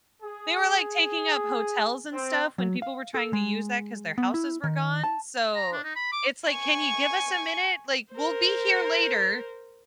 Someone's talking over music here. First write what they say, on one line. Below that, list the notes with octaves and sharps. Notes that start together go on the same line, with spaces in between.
They were, like, taking up hotels and stuff when people were trying to use that 'cause their houses were gone, so it's like, can you give us a minute? Like, we'll be here later,
G#4
C4
F#3
F5
A4
G#3
B3
E4
D#3
A5
A#5
D4
D#4
B5
D6
G#5 C#6
A#4 C5